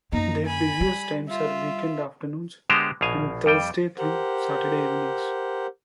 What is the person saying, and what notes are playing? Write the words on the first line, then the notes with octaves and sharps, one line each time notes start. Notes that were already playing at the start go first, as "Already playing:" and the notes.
Their busiest times are weekend afternoons and Thursday through Saturday evenings.
F#2 A#3 D#4 A#5
G#5 B5
G3
F4 E5
D3 G#3 B3 G4 C5 A#5
A#1 B2 F5 G#5
F2 G3 G5
G4 A#4 C5 F#5